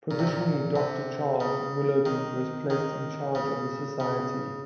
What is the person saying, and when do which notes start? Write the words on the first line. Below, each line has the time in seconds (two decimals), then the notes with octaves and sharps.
Provisionally Doctor Charles Willoughby was placed in charge of the society.
0.11 A#2
0.19 C3
0.27 A#2
0.76 C3
1.40 C#3
2.06 D#3
2.70 D#3
3.35 C#3
4.00 C#3